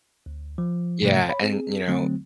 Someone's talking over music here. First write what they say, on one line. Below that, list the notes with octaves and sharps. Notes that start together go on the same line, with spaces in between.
Yeah, and, you know,
D2
F3
G#2 C3 F3 A3
C#5 B5
C4 G#4
D3 F#3 A3 C4